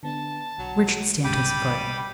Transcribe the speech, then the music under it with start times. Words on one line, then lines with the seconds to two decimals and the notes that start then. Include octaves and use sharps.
Richard stamped his foot.
0.03 D3 B3 D4 A5
0.58 B1 F#3
1.24 B1 G#2 G3 G5 B5 D6 D#7